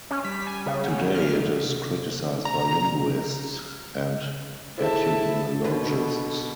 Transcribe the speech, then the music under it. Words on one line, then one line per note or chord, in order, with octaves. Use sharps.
Today it is criticized by linguists and etymologists.
C#4
G3 B6
G#5
C#3
G2 F#5
F#3 B4 D#5 F6
C3
A#5
E4 G#4 A4 C5 E5 A5
B2 D3 B4